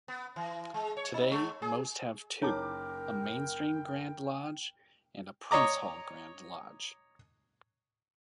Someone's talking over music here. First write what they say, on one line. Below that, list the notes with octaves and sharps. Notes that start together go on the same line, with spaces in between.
Today, most have two: a "mainstream" Grand Lodge and a Prince Hall Grand Lodge.
B3
E3
G#3
C#5
D#4
G#3
G#4
F#1 D#4 E4 A#4 C#5 G5 D6
C#5 D#5 A#5 D6